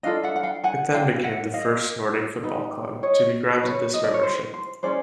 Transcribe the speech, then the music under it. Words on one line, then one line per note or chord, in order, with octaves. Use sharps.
It then became the first nordic football club to be granted this membership.
D4 F4 A4 D#5 F5
E5 F#5
F#5
F5 G5
F#5 G#5
F5 G5
G5
E5 F#5
D#5 F5
D#4 G4 B4
C#5 D#5
B4 C#5
D#5
D5
C#5
C5
C5
C#4 E4 G#4 C5 D5